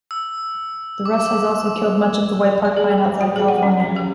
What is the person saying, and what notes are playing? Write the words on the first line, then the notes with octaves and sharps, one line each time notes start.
The rust has also killed much of the whitebark pine outside of California.
E6
D6
D5
G#4
G4
C5
F#4
G#4
F#5
C#4
C#4
G4